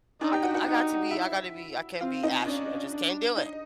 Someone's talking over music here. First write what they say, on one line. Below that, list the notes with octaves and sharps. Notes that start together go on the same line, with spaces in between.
I g I got to be I gotta be I can't be ashy. I just can't do it.
D4 D#4 D5
G4 G5
F#4 F#5
F#4 F#5
D#4
E4 E5
C4 F4 F5
D#4 D#5
C#4 D4 D5
D4
D#4 D#5